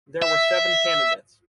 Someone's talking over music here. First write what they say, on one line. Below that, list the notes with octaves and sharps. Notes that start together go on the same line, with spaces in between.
There were seven candidates.
E5